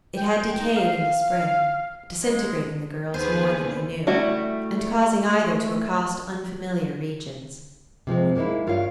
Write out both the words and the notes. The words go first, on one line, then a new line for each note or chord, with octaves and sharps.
It had decayed in the spring, disintegrating the girls more than they knew, and causing either to accost unfamiliar regions.
G5
D#4
F5
G#3
D#2 B3 G#4 B4 C5
G3 A3 E4 F#4
C3 F3 G#3 C4
G#3 A#3 C#4 D#4 E4
G2 F4 A#4 C#5 F5